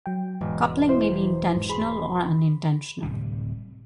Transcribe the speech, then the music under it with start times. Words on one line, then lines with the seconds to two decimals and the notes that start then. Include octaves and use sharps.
Coupling may be intentional or unintentional.
0.06 F#3 G5
0.41 E1 G#2
0.89 E4 C5
1.12 E3
1.56 G#2
1.69 G#4 B5 C6
3.03 D1 C3 G3